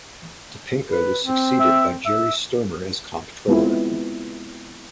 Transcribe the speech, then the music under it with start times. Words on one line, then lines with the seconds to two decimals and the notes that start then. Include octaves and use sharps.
Topinka was succeeded by Jerry Stermer as comptroller.
0.89 B4
1.23 C4
1.60 E5
2.05 E5
3.48 G#3 B3 C4 E4 F4